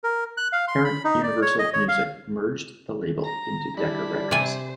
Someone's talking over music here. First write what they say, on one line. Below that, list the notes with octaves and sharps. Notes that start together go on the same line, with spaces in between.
Parent Universal Music merged the label into Decca Records.
A#4
F#6
F5
C6
B5
D#4
D5
C#5
D#5
C#5
F5
A#5
G3 D4 E4 B5
C3 C5 D5 G#5